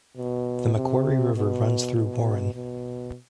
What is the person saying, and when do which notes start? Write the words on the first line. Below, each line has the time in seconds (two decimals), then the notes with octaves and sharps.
The Macquarie River runs through Warren.
0.17 B2
0.76 C3
1.36 B2
1.95 B2
2.54 B2